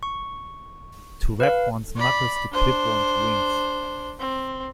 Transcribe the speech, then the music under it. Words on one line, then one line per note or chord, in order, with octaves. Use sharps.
To rap one's knuckles to clip one's wings.
C#6
B4 F5
D5 B5
D4 C5
C4